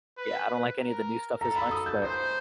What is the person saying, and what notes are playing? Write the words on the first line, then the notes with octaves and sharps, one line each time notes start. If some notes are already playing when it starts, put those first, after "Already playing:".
Yeah, I don't like any of the new stuff as much, but,
B4
B4
A#4
A4 A#5
B5
D#6
G6
C5 G6